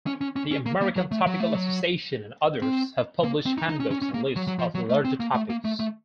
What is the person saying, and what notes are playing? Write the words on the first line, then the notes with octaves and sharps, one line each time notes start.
The American Topical Association and others have published handbooks and lists of larger topics.
C#4
C#4
C#4
C#4
A#3
A#3
F#3
A3
F#3
A3
F#3
C4
A#3
C4
D#4
D#4
C#4
C#4
C#4
A#3
F#3
F#3
F3
F#3
A3
C4
A#3
A3
A#3
A3
A3